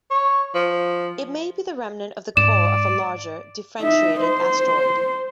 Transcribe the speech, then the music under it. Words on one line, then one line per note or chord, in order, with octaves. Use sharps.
It may be the remnant of the core of a larger, differentiated asteroid.
C#5
F3
G#2 D5 E7
D#4 E5
C5